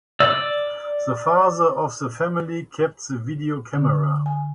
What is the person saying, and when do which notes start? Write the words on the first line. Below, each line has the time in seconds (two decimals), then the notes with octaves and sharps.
The father of the family kept the video camera.
0.20 D5 E6
3.74 D3
4.26 G#5